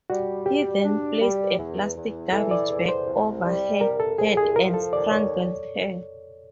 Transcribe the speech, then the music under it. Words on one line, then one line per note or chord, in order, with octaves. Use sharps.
He then placed a plastic garbage bag over her head and strangled her.
G3 F#4
G3 G4
D4
G3
E2
E2
E3 A4
D5
E2
C5
C2
G3
C2 A#4
A4
C2 G#4
G#4
F3 A#4
A4
D#2 D5
C#5